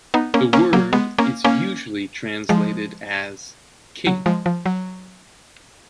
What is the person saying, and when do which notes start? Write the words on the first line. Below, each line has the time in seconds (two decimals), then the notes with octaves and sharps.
The word is usually translated as "king".
0.14 B3 D#4
0.34 A#3 C#4
0.53 A#3 C#4
0.73 F#3 A#3
0.93 G#3 B3
1.18 A#3 C#4
1.44 A#3 C#4
2.49 F3 G#3
4.07 F#3
4.26 F3 G#3
4.46 F3
4.66 F#3